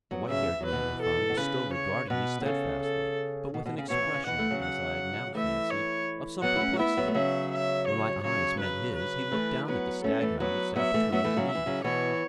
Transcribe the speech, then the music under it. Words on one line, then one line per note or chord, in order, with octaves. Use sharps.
The white-haired man I found was still regarding me steadfastly, but with an expression, as I now fancied, of some perplexity. When my eyes met his, he looked down at the staghound that sat between his knees.
F#3 B3
C#3 F#3 E5
E3
F#3
B4
B2 E3
A4
B2
C#3 B4
C#5
B2 B4
B2
C#3 A4
A4
B2
B2
C#3
B2 E3 C#5
C#3
C#3
B2 E3 F#5
E3 A3
C#3 F#3
F#5
E3 A3 E5
C#5
F#3 B3 F#5
E4
A3 C#4
F#4
B3 E4 E5
F#3 B3
A3
C#3 F#3 E5
E5
C#5
C#3 F#3 C#5
B4
B4
E3 A3
F#3 B3 B4
A3 C#4 A4
E3 A3
F#3 B3 B4
F#3 B3 E5
E3 A3
F#3 B3 E5
E3 A3
C#3 F#3
E5
E3
C#3 F#3
B2 E3 C#5